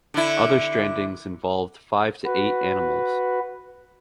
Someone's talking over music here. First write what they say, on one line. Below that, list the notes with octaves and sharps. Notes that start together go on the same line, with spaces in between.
Other strandings involved five to eight animals.
D3 E4
F#4 B4